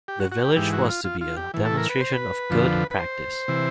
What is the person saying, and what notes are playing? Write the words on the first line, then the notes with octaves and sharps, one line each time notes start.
The village was to be a demonstration of good practice.
G4
F#4
F#4
G4
G#2 E3 G4
F#4
F4
F4
F4
G4
A2 E3
A4
A#4
B4
C5
B4
F2 D3 F3
B4
C5
C3 E3